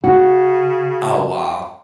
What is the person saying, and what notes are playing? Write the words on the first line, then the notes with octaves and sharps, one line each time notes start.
Oh, wow.
C#3 F#4